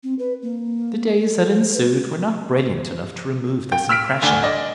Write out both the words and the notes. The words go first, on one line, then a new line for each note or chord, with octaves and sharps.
The days that ensued were not brilliant enough to remove this impression.
C4
B4
A#3
A4
B4
G5
E6 F6 B6 D7
D2 D4 G#5 G7
D5 D#5